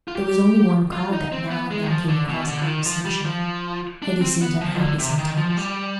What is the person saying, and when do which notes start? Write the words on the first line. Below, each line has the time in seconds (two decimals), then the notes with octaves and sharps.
There was only one cloud that now and then came across Adam's sunshine: Hetty seemed unhappy sometimes.
0.08 F4
0.16 G4
0.92 F4
1.13 D#4
1.32 C4
1.51 B3
1.71 G#3
1.82 D#3
1.89 F3
2.09 D3
2.29 B2
2.48 D3
2.61 F3
2.67 D#3
2.86 F3
3.05 G3
3.25 F3
4.02 D4
4.21 C4
4.41 B3
4.61 F3
4.75 D#3
4.79 D3
4.99 C3
5.18 D#3
5.37 F3
5.50 F3
5.57 G3